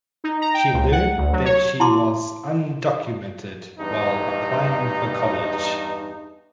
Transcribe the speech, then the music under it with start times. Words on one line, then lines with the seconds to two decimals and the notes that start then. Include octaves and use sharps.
She learned that she was undocumented while applying for college.
0.24 D#4
0.41 A#5
0.54 G5
0.73 C#2
0.92 F#5
1.17 D2
1.33 F#3
1.45 C#5
1.80 E4 A5 C6 D6
3.80 E2 G2 D#4